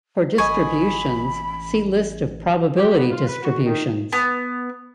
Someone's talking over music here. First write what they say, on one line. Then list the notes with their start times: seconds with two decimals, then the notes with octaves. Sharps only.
For distributions, see List of probability distributions.
0.38 A1 D#5 G#5 B5 C#6
2.76 G4
2.96 B3
3.10 F4
3.27 B4
3.42 F#4
3.65 D#3
4.13 B3